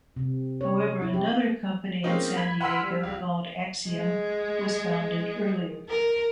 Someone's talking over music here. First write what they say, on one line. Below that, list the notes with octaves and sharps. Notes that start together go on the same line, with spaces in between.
However another company in San Diego called "Axiom" was founded earlier.
C3
C#5
E4
G4
G#3 A#3 C4 C#4 D#4 F4
B5 G#6 B6
F#5 B5 C6 E6 F6 B6
G3
C#2 G3
G#3
A#4